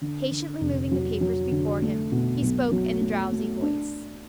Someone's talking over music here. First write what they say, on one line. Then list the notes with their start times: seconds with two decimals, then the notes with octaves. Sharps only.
Impatiently moving the papers before him, he spoke in a drowsy voice.
0.01 D3
0.31 D3
0.61 F1
0.91 F#3
1.21 F#3
1.51 D3
1.82 A3
2.12 B2
2.42 B1
2.71 F#3
3.01 A3
3.32 A3
3.62 D4